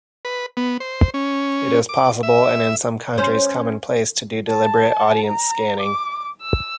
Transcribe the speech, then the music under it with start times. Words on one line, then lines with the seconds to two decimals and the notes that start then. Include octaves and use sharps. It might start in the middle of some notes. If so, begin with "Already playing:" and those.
It is possible, and in some countries commonplace, to do deliberate audience scanning.
0.25 B4
0.57 B3
0.80 C5
1.14 C#4
1.89 D6
2.23 E5
3.18 C#4 C5
4.49 A5
5.25 A#5
5.81 D6
6.41 E6